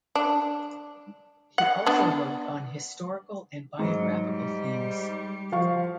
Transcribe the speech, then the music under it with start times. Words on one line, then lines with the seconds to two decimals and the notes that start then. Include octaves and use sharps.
He also wrote on historical and biographical themes.
0.15 D4
1.58 F#5
1.86 B3 D4
3.79 G#2 F#3
4.22 G3
5.52 F3 F5 C#6